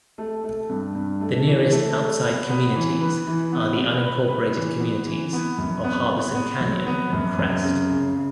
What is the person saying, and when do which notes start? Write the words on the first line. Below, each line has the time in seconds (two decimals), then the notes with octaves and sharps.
The nearest outside communities are the unincorporated communities of Harbison Canyon and Crest.
0.18 A3
0.44 A3
0.70 G2
0.95 G2
1.21 A3
1.46 E3
1.72 A3
1.98 A3
2.23 B3
2.50 B3
2.75 E3
3.00 B4
3.27 E3
3.52 B3
3.78 B3
4.04 B4
4.29 B4
4.55 E3
4.80 B3
5.07 E3
5.33 B3
5.58 F#2
5.84 B3
6.10 B3
6.35 B3
6.61 F#3
6.87 B3
7.13 F#2
7.39 F#2
7.64 C#3
7.90 C#3
8.15 C#3